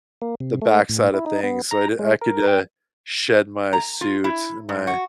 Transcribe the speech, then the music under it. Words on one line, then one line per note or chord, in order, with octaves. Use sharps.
the backside of things, so I d I could, uh, shed my suit and my
A#3
C3
A3
A2
E4
D#4
B3
A#5
G#3
A#4
G5
A#5
F4
E4
G#2
F#4